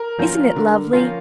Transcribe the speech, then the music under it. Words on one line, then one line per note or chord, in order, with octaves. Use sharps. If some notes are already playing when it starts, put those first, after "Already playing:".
Isn't it lovely?
Already playing: A#4
F3 A#3 C#4 F4
D3
F3 A#3 C#4 F4